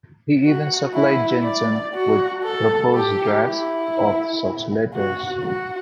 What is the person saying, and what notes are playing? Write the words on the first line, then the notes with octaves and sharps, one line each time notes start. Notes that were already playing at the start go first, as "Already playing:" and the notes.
He even supplied Jensen with proposed drafts of such letters.
F#4
E4
D5
F#4
A4
G4
E4
F#4
F#4